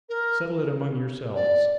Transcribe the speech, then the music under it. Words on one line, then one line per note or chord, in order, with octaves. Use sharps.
'Settle it among yourselves.
A#4
D5